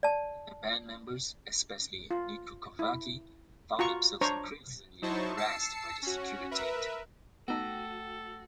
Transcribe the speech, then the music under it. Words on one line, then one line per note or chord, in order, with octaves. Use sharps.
The band members, especially Nicu Covaci, found themselves increasingly harassed by the Securitate.
D5 A5
F4
E4
F4 F#4 A#5 C#6
D4 C5 C#5 A#5 C#6
F#3 D#4 E4 C5 A5 C#6
A5 E6 C7 C#7
C#4 F#4
A#4 B4 E5
A3 B3 D#4 F#4 A4 G5